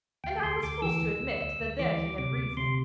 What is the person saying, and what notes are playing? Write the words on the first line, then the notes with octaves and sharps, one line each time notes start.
And I was forced to admit that there he had reason.
D2 G5
D2 C6
D2 D6
E3 E6
D2
D2
D2
D2
E3 D6
D2
C3 D6
D2
C3 C6